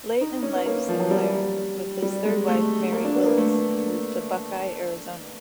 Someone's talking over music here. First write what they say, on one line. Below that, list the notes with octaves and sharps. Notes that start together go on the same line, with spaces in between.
Late in life Sinclair, with his third wife Mary Willis, moved to Buckeye, Arizona.
D#4
C#4
B3
A#3
F3
F#3
G3
G3
G#3
A3
A#3
D4
B3
A#3
A3